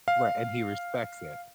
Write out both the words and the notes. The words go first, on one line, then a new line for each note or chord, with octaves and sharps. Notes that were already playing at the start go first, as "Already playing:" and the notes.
Right, and he respects it.
F5